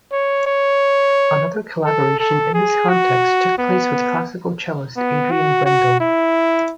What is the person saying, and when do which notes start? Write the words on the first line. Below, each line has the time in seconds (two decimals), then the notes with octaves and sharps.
Another collaboration in this context took place with classical cellist Adrian Brendel.
0.12 C#5
0.47 C#5
1.85 A4
2.20 A4
2.54 G#4
2.89 F#4
3.58 B3
4.97 B3
5.31 F#4
5.66 F#4
6.00 E4